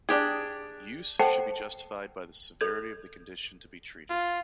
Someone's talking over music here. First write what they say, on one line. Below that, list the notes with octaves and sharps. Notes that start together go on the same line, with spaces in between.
Use should be justified by the severity of the condition to be treated.
D4 G4 G#4
A4 C5 F#5 G5 A5
A4 G6 G#6
F4